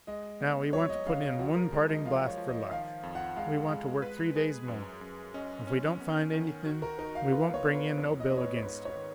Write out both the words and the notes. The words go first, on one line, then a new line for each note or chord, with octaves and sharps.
Now we want to put in one parting blast for luck. We want to work three days more; if we don't find anything, we won't bring in no bill against you.
G#3 D#5
B3
F#3 C#5
D#5
C#3 F5
D#5
F3 F#4
A#4
G#3
D#5
F3 F5
C#5
F3
D#5
D#3 F5
F2
F#5
G#3 F5
G#3
B4
G#4
F#2
F#2
C#4 D#5
C#4
B3
D#3
F#4
A#4
D#4 A#4
F5
F4 B4
C#5
B3
B4
F2 C#5
D#5
B3
C#5
B4
C#5
G#2 B4
C#5
D#3